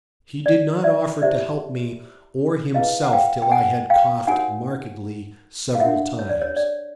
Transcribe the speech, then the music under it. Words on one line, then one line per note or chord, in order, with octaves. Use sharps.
He did not offer to help me or himself till I had coughed markedly several times.
D5
D5 E5
E4 G4 C5 D5 E5
E4 G#4 B4 D#5 F5
F#5
F5 G5
G5
F#5 G#5
F5 G5
D#4 F#4 A#4 C#5 F#5 G#5
F5
D4 F#4 A#4 C#5 E5 F#5
C#5
D5
C#5
D5